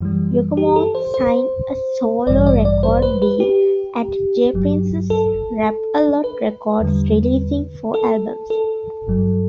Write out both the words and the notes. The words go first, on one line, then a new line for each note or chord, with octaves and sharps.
Yukmouth signed a solo record deal at J-Prince's Rap-a-Lot Records, releasing four albums.
F#2 E3 G3
G4
A4
C5
C5
A1 G2 E3 G3 D5
D5
D5
C5
B4
B4
G4
G1 G2 F#3
A4
B4
E2 D3 G3
A4
A4
G1 G2 F#3